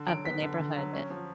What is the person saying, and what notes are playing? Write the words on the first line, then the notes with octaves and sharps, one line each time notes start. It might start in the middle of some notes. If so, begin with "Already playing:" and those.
of the neighborhood.
Already playing: D3
F#3 D7
B3 B6
D3
D3
F#3
C#4
F3